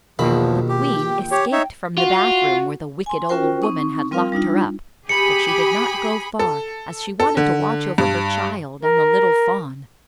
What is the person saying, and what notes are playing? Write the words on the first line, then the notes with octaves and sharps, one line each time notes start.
The queen escaped from the bath-room, where the wicked old woman had locked her up, but she did not go far, as she wanted to watch over her child and the little fawn.
A#1 E2 B2 D#3 F3 B5
G4
G5
G4 C#5
D#4 C#5 E5
F4 F#4
G#5 C6
C#4 F4 F#4 A#4 C5 G5
C4 D#4 C#6
G3 C4 F4 A#4 F5
G3 D4 D#4 F4
G4 G#4 B5 C#7
A4
A4
D3
G2
A#4